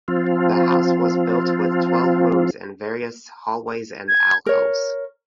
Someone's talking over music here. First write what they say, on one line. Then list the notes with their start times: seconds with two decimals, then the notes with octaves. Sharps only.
The house was built with twelve rooms and various hallways and alcoves.
0.08 F3 C4 F4
4.08 G#6
4.46 A#4 C#5